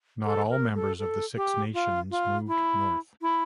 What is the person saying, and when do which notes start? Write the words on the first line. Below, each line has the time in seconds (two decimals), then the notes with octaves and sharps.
Not all members of the Six Nations moved north.
0.25 A4
0.50 A#4
0.75 A4
0.99 A4
1.36 G4
1.74 F4
2.11 F4
2.47 E4
3.21 E4